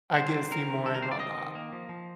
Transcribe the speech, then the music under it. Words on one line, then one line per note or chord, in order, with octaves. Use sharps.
I get see more and all that."
G3 C5
D#3
C4 A#4
D#3
G3 A4
A#4
D#3 C5
D5
C4 D#5
D#3
A#3
F3
F3